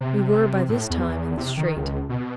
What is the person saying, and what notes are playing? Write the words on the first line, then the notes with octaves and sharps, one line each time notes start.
We were by this time in the street.
C3
A2
E2
E2
C3
D#3
C#2
B2